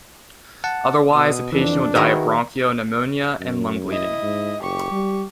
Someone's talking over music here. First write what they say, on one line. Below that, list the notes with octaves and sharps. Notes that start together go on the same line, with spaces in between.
Otherwise the patient will die of bronchial pneumonia and lung bleeding.
F#5 A5
B2 D#6
F2 E3 D4
D#3 D#4 E4 F#4 G#4 A#4 B4
F#2
E4 D#5
G#2
F#1 G4 C#6
G3